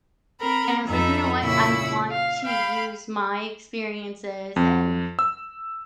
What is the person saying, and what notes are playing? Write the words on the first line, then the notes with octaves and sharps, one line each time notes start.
And I was like, "You know what, I want to use my experiences and
C4 A#4 A#5 B5
F2 D#4 A4 E5 A#5 B5
A#2 C#3 E4 B5 C#6 E6
F5
F5 G5 B5
F2
E6